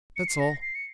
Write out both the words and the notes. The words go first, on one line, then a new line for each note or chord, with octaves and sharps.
That's all.'
C#7
C7
A#6
C7
C#7